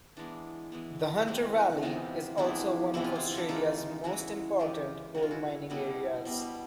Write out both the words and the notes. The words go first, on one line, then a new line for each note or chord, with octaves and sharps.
The Hunter Valley is also one of Australia's most important coal mining areas.
E3 G#3 B3 D4
E3 G#3 B3
C3 E3 G#3 B3
C3 E3 G#3 B3 D#4 F4
C3 E3 G#3 B3 D4 E4
C3 E3 G#3 B3 E4
F4
E4
F4
D4 E4
C#3 E3 G#3 D#4 F4
C#3 E3 G#3 E4 F#4
C#3 E3 G#3 F4 G4
C#3 E3 G#3 F#4
F4
E4 F#4
B2 G3 B3 D4 E4
B2 G3 B3